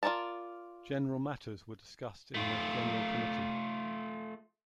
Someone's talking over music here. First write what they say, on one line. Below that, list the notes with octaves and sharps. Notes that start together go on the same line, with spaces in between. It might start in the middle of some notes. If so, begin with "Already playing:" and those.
General matters were discussed in the "General Committee".
F4 A4 A#4 D5 A5
A3 F4